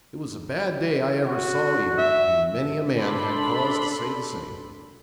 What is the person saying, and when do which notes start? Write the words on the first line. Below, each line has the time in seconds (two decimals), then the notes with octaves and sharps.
It was a bad day I ever saw either, and many a man had cause to say the same.
1.26 F#4
1.98 E5
2.95 D4 A4 B5 C6